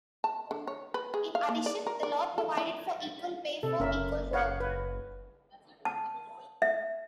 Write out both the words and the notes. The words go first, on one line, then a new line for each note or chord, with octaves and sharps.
In addition, the law provided for equal pay for equal work.
A5
D3
C#5
B4
G#4
F5
A#3
D5
A#4
D5
A4
E4
C3 A4
F#1 C#4 A#4 E5
C#5 F5 F#5
B4
A5
E5